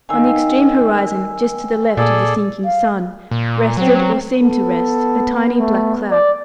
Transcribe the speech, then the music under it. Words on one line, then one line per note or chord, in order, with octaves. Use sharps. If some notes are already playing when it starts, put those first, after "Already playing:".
On the extreme horizon, just to the left of the sinking sun, rested, or seemed to rest, a tiny black cloud.
D#3 F5 G#5 E6
A#2 G#4 A4 D5
F5
A#2
F#3 C4
B3 A4
A3
D5